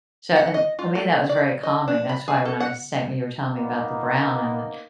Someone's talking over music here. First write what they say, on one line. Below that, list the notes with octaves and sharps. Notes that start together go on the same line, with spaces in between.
So and to me, that was very calming, that's why when I was say when you were telling me about the brown and the
F#5
D#5
F4
A3
D5
D#5
D4
B5
G#4
A4
F#5
A#3 B3 D#4